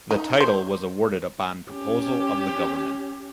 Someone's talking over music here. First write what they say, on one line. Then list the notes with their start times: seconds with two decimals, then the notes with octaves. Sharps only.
The title was awarded upon proposal of the government.
0.11 D#4
0.40 C5
1.72 C#4 G4